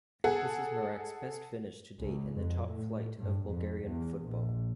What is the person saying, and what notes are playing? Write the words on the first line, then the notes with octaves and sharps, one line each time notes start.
This is Marek's best finish to date in the top flight of Bulgarian football.
G#4 A4 F#5
C#2
F2
A2
G2
F2
E2
A#1